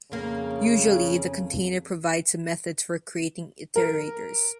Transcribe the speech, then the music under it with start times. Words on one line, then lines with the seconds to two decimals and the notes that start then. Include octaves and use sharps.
Usually, the container provides the methods for creating iterators.
0.12 F2 C#3 A#3
3.76 A#4